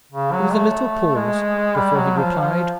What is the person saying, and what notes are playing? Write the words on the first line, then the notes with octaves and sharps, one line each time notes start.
There was a little pause before he replied.
C#3
F#3
A3
G#3
G3
F#3
F3
F3